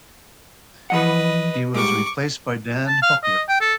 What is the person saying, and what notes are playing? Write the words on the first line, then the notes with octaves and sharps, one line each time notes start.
He was replaced by Dan Hooker.
E3 F3 B4 D#5 F#5
G#2 G3 C#6 D6
A5
F5
D#5
G5
A4